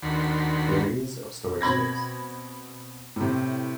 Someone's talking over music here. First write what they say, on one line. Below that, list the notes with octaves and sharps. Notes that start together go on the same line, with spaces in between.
There is of storage space.
D#2 D#3 D4 F#4 B5 C6
B2 C4 B5 G#6 A#6
A2 C3